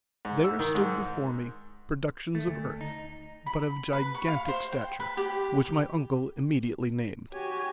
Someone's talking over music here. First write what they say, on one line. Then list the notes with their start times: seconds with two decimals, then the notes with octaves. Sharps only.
There stood before me productions of earth, but of gigantic stature, which my uncle immediately named.
0.25 G#2
0.44 E6
0.59 D#3
0.75 G#2
2.35 A3
2.47 D2
2.81 D#4
3.46 B5
3.93 B4
4.14 C#6
4.28 F5
4.48 C5
4.72 G5
5.00 B4
5.17 G4
7.33 F#4 G4 C#5 G#5